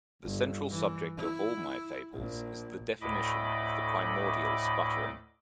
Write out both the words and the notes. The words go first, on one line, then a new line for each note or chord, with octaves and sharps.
The central subject of all my fables is the definition of the primordial sputtering.
G1
E3
E4
A#1
D2 A2 D#5 B5 D6